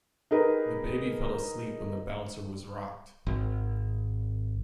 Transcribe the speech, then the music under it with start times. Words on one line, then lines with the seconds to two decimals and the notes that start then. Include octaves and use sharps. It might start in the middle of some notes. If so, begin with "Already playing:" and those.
The baby fell asleep when the bouncer was rocked.
0.31 D#4 G4 G#4 A#4 B4
3.27 G#1